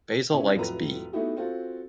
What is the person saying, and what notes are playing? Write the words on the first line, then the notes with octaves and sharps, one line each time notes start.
Basil likes Bee.
C#3 C#4 E4
F1 A2 F3 F#3 B4 A#5
A3 B3 D#4 E4 F#4 G4
C4 F4 F#4 A4